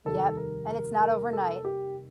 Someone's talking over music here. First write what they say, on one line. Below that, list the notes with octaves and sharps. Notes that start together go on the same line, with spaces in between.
Yep, and it's not overnight.
F1 D#2 D#3 G3 A4
A#4
A#4
A#4
A4
G4